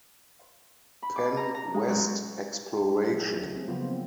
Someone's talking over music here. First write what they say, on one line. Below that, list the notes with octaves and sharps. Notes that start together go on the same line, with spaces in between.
Penn West Exploration.
B5
D6
A#5
A#5
G#3
F#2
F#3 G4 G#4
A3 G#4
C4
C#3 F3 F#3 B3 F4 C5
A#3 C4